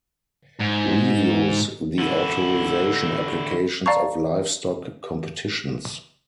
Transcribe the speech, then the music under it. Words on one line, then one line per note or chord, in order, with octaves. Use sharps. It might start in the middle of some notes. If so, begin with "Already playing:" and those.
Reviews the authorization applications of livestock competitions.
G#2
D3 E4
D5 F5 A5 A#5 C#6